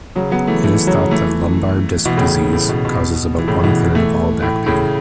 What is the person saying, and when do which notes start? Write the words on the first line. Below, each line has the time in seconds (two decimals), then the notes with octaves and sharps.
It is thought that lumbar disc disease causes about one-third of all back pain.
0.16 C#3 F#3
0.32 F#3 B3
0.47 E3 A3
0.64 E3 A3
0.87 C#3 F#3
1.11 E3 A3
2.05 B2 E3
2.17 A2 C#3
2.29 B2
2.53 A2
2.69 B2
2.85 B2
3.38 E3
3.48 A2 C#3
3.64 B2 E3
3.95 E3 A3
4.42 A2
4.66 A2 C#3